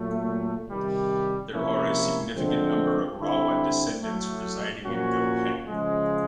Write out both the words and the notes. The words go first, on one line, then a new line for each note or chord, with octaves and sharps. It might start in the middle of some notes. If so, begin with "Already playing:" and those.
There are a significant number of Rawa descendants reside in Gopeng.
Already playing: A#2 F#3 A3
C3 D#3 G3
C3 F3 A#3 C#4 E4
D3 F3 G#3 C4
D3 G3 C4 E4
A2 F#3 A3
A#2 F3 A#3 C#4 F#4
C#3 F3 G#3